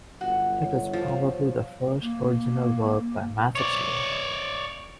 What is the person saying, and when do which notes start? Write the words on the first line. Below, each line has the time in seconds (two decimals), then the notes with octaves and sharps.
It is probably the first original work by Masaccio.
0.21 G1 F#4
0.62 C#5
0.93 F3
2.01 A#3
3.55 C#5 D5